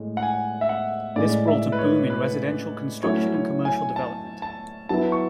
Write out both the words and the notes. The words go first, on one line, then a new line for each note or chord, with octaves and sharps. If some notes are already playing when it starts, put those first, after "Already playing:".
This brought a boom in residential construction and commercial development.
Already playing: A2 G#3
F#5
G#5
E5
F#5
A2 G#3 C#4 E4 D5
E5
B4
C#5
B4
F#3 A3 C#4 E4 C#5
C#5
G#5
A5
A5
F#3 B3 E4 A5
C#6